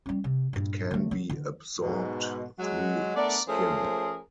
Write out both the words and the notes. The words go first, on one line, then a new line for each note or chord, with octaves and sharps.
It can be absorbed through skin.
G3 C#4
C3
G2 A#2
D3 A3
F#3
D3 D#3
G#2 B2
F#3 G#3
A3 B3 D4 A#4 D5
F3 A3 C#4 G#4 A#4 C5